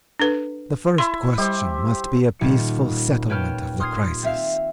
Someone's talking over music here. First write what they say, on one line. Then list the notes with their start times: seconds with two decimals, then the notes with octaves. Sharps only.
The first question must be a peaceful settlement of the crisis.
0.20 D4 A4 B4
0.98 E4 E5 C6
1.38 G3 G4 C5
2.39 D#1 C#7
3.30 B4 C#5 G5 A5 F6 G6
3.80 C6 D#6 F6 G#6 C7
4.23 C4 E5 F5